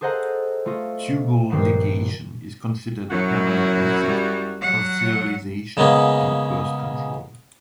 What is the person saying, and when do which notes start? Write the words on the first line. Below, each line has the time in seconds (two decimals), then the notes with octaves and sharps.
Tubal ligation is considered a permanent method of sterilization and birth control.
0.01 G#4 A4 C5 D#5 F#5 A#5
0.66 A3 F4 D#5
1.50 A#1 G2 D#3 B3 C7
3.11 F#2 F#3 E4 F#4
4.04 G3
4.61 F#3 F#5
5.77 C#3 G#3 A#3 B3 C#4